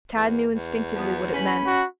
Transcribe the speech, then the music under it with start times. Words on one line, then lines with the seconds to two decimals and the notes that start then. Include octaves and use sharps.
Tad knew instinctively what it meant.
0.14 E2
0.52 E2
0.94 F3 B3
1.32 C#4 B5
1.67 F#4